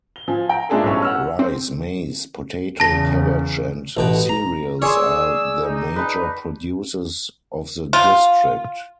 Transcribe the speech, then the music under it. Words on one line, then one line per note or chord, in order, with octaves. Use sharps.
Rice, Maize, Potato, Cabbage and cereals are the major produces of the district.
G7
F3 G#5
G5 A#5
G#3 A3 D4 F4 G#4 A4
B1 G2 A3 C#4 E4 C#5
F#5 E6 F6
C4
E2 C#3 A5 A#6
A1 B2 G5
A#5
G#4 C#5 D5 C6 E6
D#4
B4 A5
F4